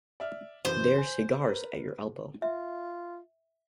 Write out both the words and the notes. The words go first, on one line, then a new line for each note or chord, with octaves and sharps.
There's cigars at your elbow.
D5 E5 F6
F#2 E3 C5
G#5
A#4 B4
F4 E5